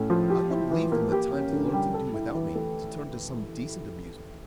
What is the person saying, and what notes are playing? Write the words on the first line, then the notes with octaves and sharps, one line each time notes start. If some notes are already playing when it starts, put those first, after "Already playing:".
I wouldn't leave them the time to learn to do without me, to turn to some decent amusement.
Already playing: A2 A3 C#4
F3
G4
E4
E3
A#3
G4
C#4
D3
G3
A4
E4
E3
A3